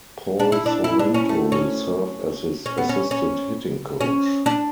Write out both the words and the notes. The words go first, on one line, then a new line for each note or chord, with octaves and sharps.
Paul Sorrento will serve as his assistant hitting coach.
D4
E4
D4
E4
D4
C#4
A3
C#4
C#4
B3
C#4
C#4
C#4
D4